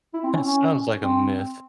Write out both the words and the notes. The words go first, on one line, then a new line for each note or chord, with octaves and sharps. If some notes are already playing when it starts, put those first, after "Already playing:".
It sounds like a myth.
E4
C4
C#4
C#4
C4